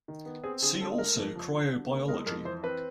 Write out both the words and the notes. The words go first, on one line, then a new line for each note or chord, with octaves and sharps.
See also cryobiology.
D#3
B3
C4 G#4
D3 G#4
G#3 A4
A3 A#4
F2
F3
D3
D3
A#3
G#3 A#4
F2 A#4
E3 C5
C4 B4